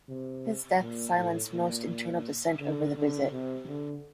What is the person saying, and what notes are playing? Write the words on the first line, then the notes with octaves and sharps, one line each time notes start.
His death silenced most internal dissent over the visit.
C3
A#2
A2
A#2
D3
D3
C3
D3